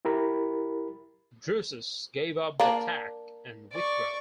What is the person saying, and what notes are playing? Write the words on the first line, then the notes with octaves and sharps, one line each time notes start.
Drusus gave up the attack and withdrew.
E4 G4 A#4 B5
A#3 D4
D5 C#6